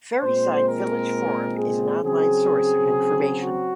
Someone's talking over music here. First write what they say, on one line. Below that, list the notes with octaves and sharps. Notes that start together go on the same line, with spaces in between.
Ferryside Village Forum is an online source of information.
A#2 G#3 C4 C5
A#4
G#4
C#3 F#3 C4 G#4
F#4